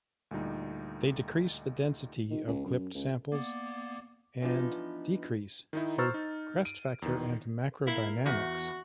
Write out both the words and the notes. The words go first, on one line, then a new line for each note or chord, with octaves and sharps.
They decrease the density of clipped samples, and decrease both crest factor and macro-dynamics.
D2 A#2 G3 D#4
D#3
C#2
F#2
C#2
A#3 B3 D5
E3 F3 B3 D4 D#4
D#3 D#4 E4
C5 A#5 C#6 E6 F6 A6
D#4
D7 D#7
E2 D#3
A#3 E4
E2 F#4